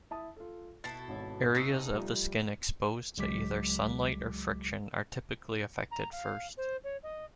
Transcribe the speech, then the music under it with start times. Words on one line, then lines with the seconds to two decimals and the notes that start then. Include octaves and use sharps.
Areas of the skin exposed to either sunlight or friction are typically affected first.
0.11 E4 A5 D#6
0.37 F4 A4
0.84 B2 E4 A4 A6 C7
1.08 G#1 C#5
1.55 B2 D#4 C#6 D#6 E6
1.92 F3 G3 A3
3.18 C#2 F#3 G#3 D6 B6
5.91 A#5
6.12 F5
6.57 C5
6.83 C#5
7.03 D#5